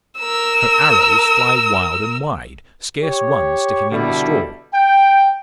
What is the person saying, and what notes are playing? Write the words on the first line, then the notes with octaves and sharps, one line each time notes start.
Her arrows fly wild and wide, scarce one sticking in the straw.
A#4 E6
G4 C#5
B2 D3 G3 E4 A4
G5